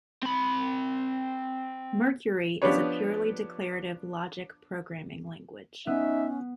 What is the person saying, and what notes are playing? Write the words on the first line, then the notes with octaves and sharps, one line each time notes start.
Mercury is a purely declarative logic programming language.
C4 B5
F3 B3 D4 G4 B4 C#5
B3 C#4 D#4 E5